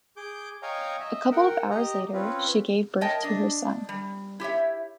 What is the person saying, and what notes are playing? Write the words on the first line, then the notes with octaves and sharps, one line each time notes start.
A couple of hours later, she gave birth to her son.
G#4 D6 G6
C#5 D#5 F5 G5 G#5 A#5
D#5 E5
A#4 F#5 G5
G4 D#5 A#5
C4 C#4 F4 B4
A#4 C#5 D#5 G5 A5
D4 D#5
G3
E4 G4 C#5 E5